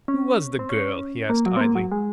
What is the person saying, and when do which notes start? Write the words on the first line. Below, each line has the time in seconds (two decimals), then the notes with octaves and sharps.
"Who was the girl?" he asked idly.
0.08 C#4
0.59 C4
0.69 C#4
1.30 A#3
1.46 F#3
1.57 C4
1.61 A#3
1.75 F#3
1.92 G#3